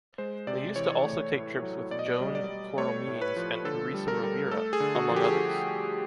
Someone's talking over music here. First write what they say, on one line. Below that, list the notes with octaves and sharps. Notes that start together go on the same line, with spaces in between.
They used to also take trips with Joan Coromines and Teresa Rovira, among others.
G#3 C5
C3 D5
E3 C#5
A3
A2
F#3
B2 D5
D#5
D5
G3
D5
G3
A3 C#5
A2
B4
F3
D3 A4
G3
A#4
G3
A3 A4
G#4
D3
F#4
F3
G4
G#4